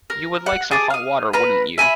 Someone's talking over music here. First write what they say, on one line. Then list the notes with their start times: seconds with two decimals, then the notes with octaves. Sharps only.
You would like some hot water, wouldn't you?
0.10 A#4
0.46 F#5
0.71 G#4 A5 D6
0.90 F5 D#6
1.33 B4 F5 A#5 B5
1.78 E5 G#5 A5 B5